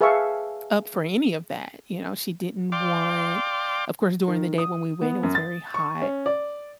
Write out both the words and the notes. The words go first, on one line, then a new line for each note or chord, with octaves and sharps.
up for any of that, you know, she didn't want of course during the day when we went, it was very hot,
G#4 B4 E5 F5 A5 C#6
D5 F5 G5 C6 D6
D#3
D#6
B3
F#2
A6
C#6
C#4
D5